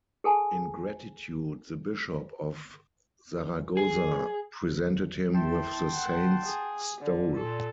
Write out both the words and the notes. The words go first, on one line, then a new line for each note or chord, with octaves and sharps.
In gratitude the bishop of Zaragoza presented him with the saint's stole.
G#4 A4 G#5 A5
G#4
E4 G5 A5 C6
F#5
G#4
D3
A#2 A4